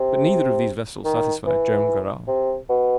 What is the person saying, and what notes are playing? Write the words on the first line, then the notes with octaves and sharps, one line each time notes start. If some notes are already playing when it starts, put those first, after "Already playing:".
But neither of these vessels satisfied Joam Garral.
Already playing: C3
D#3
E3
C3
B2